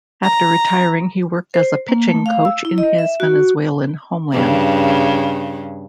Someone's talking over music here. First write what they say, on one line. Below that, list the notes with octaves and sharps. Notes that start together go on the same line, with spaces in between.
After retiring he worked as a pitching coach in his Venezuelan homeland.
A#5
C5
A#3
A3
F5
E6
E4
D#5
E5
F#4
G2 C#3